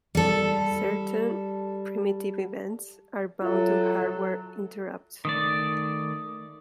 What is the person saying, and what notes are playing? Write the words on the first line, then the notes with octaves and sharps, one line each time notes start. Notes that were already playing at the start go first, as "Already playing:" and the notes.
Certain primitive events are bound to hardware interrupts.
G3 A4
F#3 F4 A4 E5
D#3 A3 D5 D#6